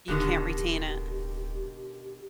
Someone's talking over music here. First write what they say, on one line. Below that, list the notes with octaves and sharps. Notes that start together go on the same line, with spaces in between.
You can't retain it.
D1 B2 D3 D#3 G4